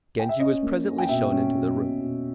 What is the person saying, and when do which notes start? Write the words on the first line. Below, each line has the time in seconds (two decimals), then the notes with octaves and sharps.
Genji was presently shown into the room.
0.19 G5
0.29 E5
0.39 C#4 D#5
0.63 A#3
0.85 C#4
0.98 G5
1.09 B2 E5
1.31 C#4
1.54 B2
1.77 B2
2.01 B2